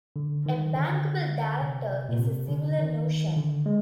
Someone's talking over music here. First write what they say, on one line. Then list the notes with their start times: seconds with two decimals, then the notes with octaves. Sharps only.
A bankable director is a similar notion.
0.16 D3
0.46 D#3
0.75 D3
1.61 C3
2.09 A#2
2.19 C3
2.49 D3
2.79 D#3
3.36 D3
3.66 G#3